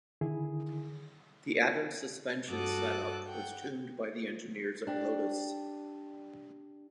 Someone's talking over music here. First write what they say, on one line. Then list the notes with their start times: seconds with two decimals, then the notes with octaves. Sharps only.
The Atom suspension setup was tuned by the engineers at Lotus.
0.21 D3 D#3 E4 G#4
2.49 G2 F#4 A4 D6 D#6 F#6
3.28 F#5 G5
4.87 D4 G4